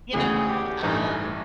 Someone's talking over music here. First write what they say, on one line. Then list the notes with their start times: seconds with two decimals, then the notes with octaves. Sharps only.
You know, um
0.13 D2 C#3 E3 G#3 G#4
0.48 G4
0.83 A1 G2 E3 D#4